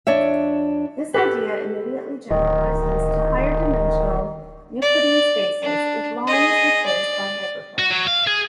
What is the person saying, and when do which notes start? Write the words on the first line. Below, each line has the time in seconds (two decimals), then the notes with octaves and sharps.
This idea immediately generalizes to higher-dimensional Euclidean spaces if line is replaced by hyperplane.
0.07 F2 D4 C#5 E5
1.14 G4 A4 B4
2.31 D1 D#3
4.82 D5
5.63 D4
6.27 G#4 D#5
6.86 D5
7.79 F#4
7.91 F#3
8.07 F5
8.27 G#4